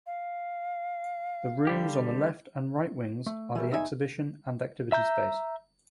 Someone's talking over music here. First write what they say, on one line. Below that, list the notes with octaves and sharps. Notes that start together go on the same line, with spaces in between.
The rooms on the left and right wings are the exhibition and activity space.
F5
D3 G3 G4
A3
E3 G3 A3 A#4
E2 D#4 E5 F5 G#5
E5 A#5 G6